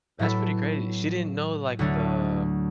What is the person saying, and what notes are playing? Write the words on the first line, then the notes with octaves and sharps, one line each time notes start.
That's pretty crazy. She didn't know, like, the
A2 F#3 B3 E4 A4
D2 D3 F#3 A3 D4